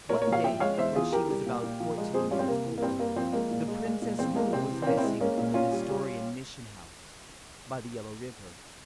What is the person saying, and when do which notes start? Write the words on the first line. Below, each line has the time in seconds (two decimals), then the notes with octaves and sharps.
One day, when she was about fourteen years old, the Princess Woo was missing from the Nestorian mission-house, by the Yellow River.
0.09 A#2 A#4 C#5
0.21 A#4 C#5
0.27 A#2
0.32 C#5 F5
0.44 F3 E5 G5
0.60 G#3 C#5 F5
0.78 E2 C5 E5
0.95 E2 F4 G#4
1.13 E3 G4 A#4
1.29 G3
1.46 A#2
1.64 A#2
1.80 F3
1.98 G#3
2.14 F2 G#4 C5
2.31 G3 C#4 F4
2.39 C4
2.48 C3 A#3
2.65 E3
2.78 A#3
2.82 G2 C4
2.99 G2 A#3
3.16 F3 C4
3.33 G#3 A#3
3.51 A#2
3.68 G#3
3.85 G#3
4.02 A#2
4.18 E2 C4
4.35 G#3 A#3
4.53 C3 C4
4.70 E3
4.82 C4
4.86 A#2 A#3 C#4
4.97 C4 E4
5.04 G#3
5.20 G#3 A#3 C#4
5.38 A#2
5.54 A#2 C#4 F4
5.72 G3
5.89 G3